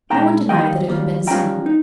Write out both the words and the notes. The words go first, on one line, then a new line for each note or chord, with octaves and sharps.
No one denied that it had been seen.
A#2 G#3 D#4 G5 A#5
D#3 G3 A#3 D#5 G5
D#3 G3 A#3 F4
G3 C#4 F4 G5 A#5
D#4